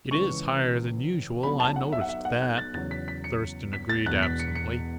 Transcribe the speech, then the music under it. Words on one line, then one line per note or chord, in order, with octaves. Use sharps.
"It is higher than usual; I noticed that," Thurston agreed absently.
C#2 C#3 E3 C#6
B1 B2 F#3 B5
A5
F#5
E5
F#5
E5
F#5
F#6
A6
E2 C#3 F#3 A6
B6
B6
C#7
B6
A6
E1 E2 B2 F#6
B6
C#7
C#7